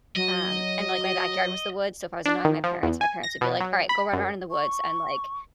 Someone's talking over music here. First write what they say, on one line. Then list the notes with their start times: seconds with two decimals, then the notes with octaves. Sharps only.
Um, and like my backyard was the woods, so if I was annoying my parents, parents would be like, "Alright, go run around in the woods." And, like,
0.16 F#3 D#5
2.25 D4
2.45 D#3
2.64 F3
2.83 E2
3.01 G#5
3.23 A#6
3.41 B2
3.60 F#3
3.89 B5
4.13 F#2
4.51 C#6